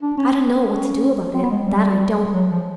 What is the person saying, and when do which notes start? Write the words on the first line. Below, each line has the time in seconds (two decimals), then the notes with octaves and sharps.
I don't know what to do about it, that I don't.
0.02 D4
0.17 C#4
0.68 C#4
1.34 C4
1.42 B3
1.51 G#3
1.68 G3
2.33 F#3
2.50 F3